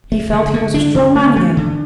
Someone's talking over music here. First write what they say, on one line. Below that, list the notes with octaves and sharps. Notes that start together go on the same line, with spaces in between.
He felt he was a strong man again.
A3
D3
D3
D4
D3
A3
A3
D3